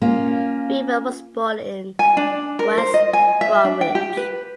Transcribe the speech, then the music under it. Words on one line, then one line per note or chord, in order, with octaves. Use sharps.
Revan was born in West Bromwich.
A#3 C#4 F4
G#5
D4
A#4
C5
D#5
G#5
E5
D4
G5
G4
B4